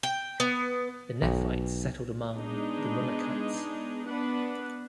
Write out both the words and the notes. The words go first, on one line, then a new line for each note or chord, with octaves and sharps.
The Nephites settled among the Mulekites.
G5
B3
B1
G#3 B3 D4 D#4 G#4
B3 D4 B4 F#5